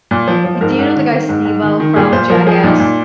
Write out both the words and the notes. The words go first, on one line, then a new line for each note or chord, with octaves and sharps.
y do you know the guy, Steve-O, from Jackass?
A#2
F3
F3
C5
G#2 A#4
G#2
D#3
D#3
G#2
G#2
D#3
D#3
A#2 G#4
A#2 C5
F3 A#4
F3 G#4
A#2 D#4
A#2